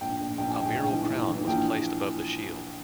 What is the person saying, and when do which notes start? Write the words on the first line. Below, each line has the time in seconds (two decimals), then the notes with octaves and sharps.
A mural crown was placed above the shield.
0.01 A#1 G5
0.19 A#1
0.38 A#1 G5
0.50 G#5
0.56 A2
0.62 G5
0.75 A#1 G5
0.93 E3
1.12 A#1
1.29 E3
1.48 A#1 G5